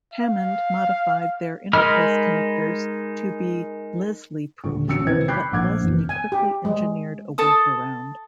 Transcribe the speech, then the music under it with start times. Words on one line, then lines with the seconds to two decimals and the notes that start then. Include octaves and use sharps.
Hammond modified their interface connectors to be "Leslie-proof", but Leslie quickly engineered a workaround.
0.14 F5
1.73 G#3 D#4 A#4 B5 F6
4.64 D#1 D3 F4 C#6
4.86 E1 B1 C#4 E6 C#7
5.05 E1 C3 D#3 E4 B4 G#6
5.28 B5 D6 F#6 G6 C7
5.52 A#1 F#5 D6 F6 G#6
5.81 F#1 B1 E2
6.09 G#5
6.32 G4
6.65 G#3
7.38 A4 A5 D#6